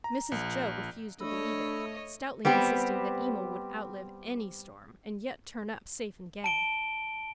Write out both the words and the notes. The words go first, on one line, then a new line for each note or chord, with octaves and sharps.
Mrs Jo refused to believe it, stoutly insisting that Emil would outlive any storm and yet turn up safe and gay.
A#5
A#1
A3 D4 C#5 D#5 B5 E6
G3 B3 C4 G4
A5 D7 G7